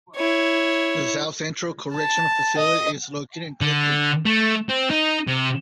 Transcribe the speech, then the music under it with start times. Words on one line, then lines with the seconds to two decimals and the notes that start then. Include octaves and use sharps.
The South Central Correctional Facility is located in Clifton.
0.16 E4 C#5
1.94 A5
2.57 D#5
3.61 D3
4.26 A3
4.69 C4
4.91 D#4
5.28 C3